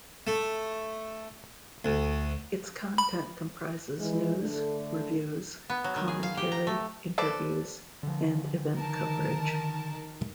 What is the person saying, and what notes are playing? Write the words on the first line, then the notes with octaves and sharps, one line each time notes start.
Its content comprises news, reviews, commentary, interviews, and event coverage.
A3
D2
B5
E3 G#3
D3 A3 D4 A4
B3
F#3
D#3
G#4
F5
G4
A#5
A3
A4 B4 C5 D5
D3 F3
D#3 A#4 A5